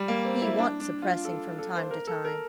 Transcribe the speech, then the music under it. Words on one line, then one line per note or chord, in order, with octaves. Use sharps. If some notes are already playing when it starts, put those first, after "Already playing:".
He wants suppressing from time to time.'
Already playing: G3
A#3
C4
E4
D4
D4
F4
A4
A4
C5
A#4
A4
A#4